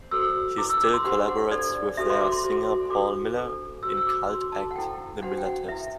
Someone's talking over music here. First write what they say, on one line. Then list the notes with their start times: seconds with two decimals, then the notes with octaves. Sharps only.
He still collaborates with their singer Paul Miller in cult act the Miller Test.
0.11 F#4 A4 C5 E6
0.58 E4 B4 D6
0.70 E6
0.82 D6
0.94 C6
1.04 D4 G4 C5 F#5
1.28 F#5
1.51 D4 A4 C5 D5
1.97 D4 F#4 A4 C5 E5
2.10 C6
2.21 D6
2.32 C6
2.44 F#4 C5
2.90 D4 F#4 A4 C5 D6
3.37 D4 A4 C5
3.83 F#4 C5 E6
3.97 E6
4.07 D6
4.29 D4 F#4 B4 C6
4.52 A5
4.71 F#5
4.76 E4 A4 C5 G5
5.22 D4 F#4 C5 F#5
5.38 G5
5.45 F#5
5.68 E4 B4 E5